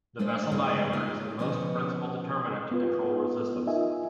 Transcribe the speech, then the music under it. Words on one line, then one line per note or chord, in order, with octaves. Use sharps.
The vessel diameter is the most principal determinant to control resistance.
G#3 A3 D4 C5 C#5
C#3 E3 G#3 A3 B3 D#4
A#3 D#4 F4 G4 C#5 F5
B2 F3 C#4 D#5
B3 F4 B4
D#4 F4 A#4 D#5 E5 G#5